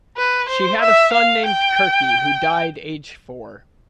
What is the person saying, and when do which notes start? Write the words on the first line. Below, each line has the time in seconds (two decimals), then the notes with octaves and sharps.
She had a son named Kirkie who died age four.
0.17 B4
0.49 C5
0.81 E5
1.13 F5
1.45 G5